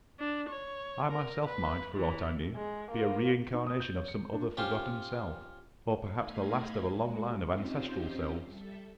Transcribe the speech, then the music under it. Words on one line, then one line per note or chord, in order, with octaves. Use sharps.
I myself might, for aught I knew, be a reincarnation of some other forgotten self, or perhaps the last of a long line of ancestral selves.
D4
C#5
A#4
B4
E3
G#3
A#3 F4
D#4
D#6
G6
C#5
C#7
D4
C#4 F4 G4 C5
A3 D#4 D#5 F5 B5 G#6
G#3 F#4
C4 C#4 D#4 F4 G4 C5
G3 A4 E5